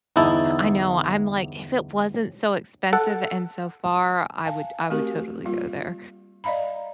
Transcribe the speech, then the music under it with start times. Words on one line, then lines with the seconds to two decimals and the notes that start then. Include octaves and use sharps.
I know, I'm like, "If it wasn't so expensive and so far, I would I would totally go there."
0.16 G1 E2 D#4 E4 A5
2.93 A4 F#5
4.46 F5 G#5 A5
4.90 A3 C4 F#4 G4 A#4
5.45 G3 A#3 F4
6.44 D5 D#5 F5 A#5 B5